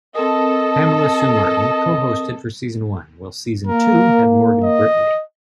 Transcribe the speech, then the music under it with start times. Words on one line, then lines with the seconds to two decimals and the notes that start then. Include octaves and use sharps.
Pamela Sue Martin co-hosted for Season One, while Season Two had Morgan Brittany.
0.15 C4 A4 A#4 D#5
3.67 A#3 A#4
4.63 D#5